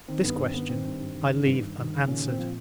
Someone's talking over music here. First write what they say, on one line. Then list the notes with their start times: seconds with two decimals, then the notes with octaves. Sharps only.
This question I leave unanswered.
0.08 D#3 C4
0.24 G2 B3
0.38 G2 C4
0.54 D#3 B3
0.69 D#3 C4
0.85 G2
1.01 G2
1.15 D#3
1.31 D#3
1.46 G2
1.61 G2
1.77 D#3
1.92 D#3
2.07 A#2 C#3 C#4
2.22 A#2
2.28 C4
2.38 F3